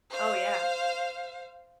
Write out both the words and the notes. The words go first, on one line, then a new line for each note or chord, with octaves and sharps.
Oh, yeah.
C5 F5